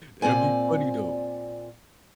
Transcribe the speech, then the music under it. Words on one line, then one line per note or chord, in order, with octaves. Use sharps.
That'd be funny though.
A#2 C4 D5 G#5